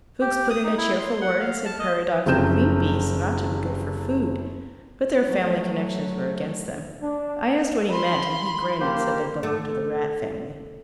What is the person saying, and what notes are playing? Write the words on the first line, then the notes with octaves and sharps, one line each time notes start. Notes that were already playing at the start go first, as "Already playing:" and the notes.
Fuchs put in a cheerful word and said prairie dogs were clean beasts and ought to be good for food, but their family connections were against them. I asked what he meant, and he grinned and said they belonged to the rat family.
G4
D#6
D#4
E4
C6
F#5
F5
A5
D#5
F#1 C3 F3 C4 G6 E7
F#3 A3
D4
B5 C6
A#3 G4 C5
A3